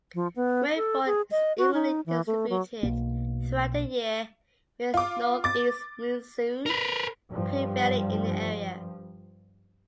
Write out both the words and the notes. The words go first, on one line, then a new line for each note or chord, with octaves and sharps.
Rainfall is evenly distributed throughout the year with north-east monsoon prevailing in the area.
F3
B3
A4
G#4
D#5
F#4
D#4
E3
A3
F#3
B1 F2 B2 A#3
F4 D6
D6 A6
A#4 B4
G2 F3